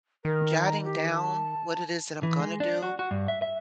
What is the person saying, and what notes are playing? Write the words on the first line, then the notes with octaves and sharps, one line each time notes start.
jotting down what it is that I'm gonna do.
D#3 A#4
A#5
G4
A5
E3
G#3
D4
F#4
F#4
G2
E5
E5